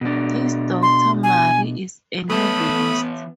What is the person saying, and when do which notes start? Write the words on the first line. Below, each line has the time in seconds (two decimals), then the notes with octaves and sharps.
His daughter Marie is a novelist.
0.01 B2 D4
0.82 C6
1.23 G#5
2.30 E3 A3 B3 A5 B5 D#6